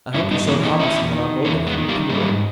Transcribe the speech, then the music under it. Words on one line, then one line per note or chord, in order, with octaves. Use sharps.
"I hope you showed Hopperson that our motives were pure?"
G2 C#4 E4
B3 D#4
E3 A#3 C#4
B3 D#4
E2 C#4 E4
D#3
E2 A#3 C#4
G#3 B3
D#3
G3 A#3
G#2 G3 A#3